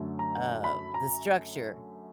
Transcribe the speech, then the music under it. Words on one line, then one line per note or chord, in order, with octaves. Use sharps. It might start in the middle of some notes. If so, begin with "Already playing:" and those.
uh, the structure
Already playing: F#2 D3 F#3 A3
A#5
B5
A#5